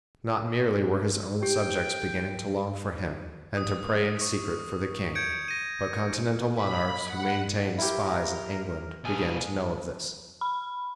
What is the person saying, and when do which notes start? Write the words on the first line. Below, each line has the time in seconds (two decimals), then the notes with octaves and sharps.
Not merely were his own subjects beginning to long for him and to pray in secret for the king, but continental monarchs who maintained spies in England began to know of this.
1.43 G4 G5
3.57 D#6
4.21 C#6
5.15 G6 G#6 C#7 D7
5.48 A#6 D#7
6.56 B5
7.07 F#5
7.78 E4 G4 A#4
9.04 B2 A3 C#4 G#5 D#6
10.41 B5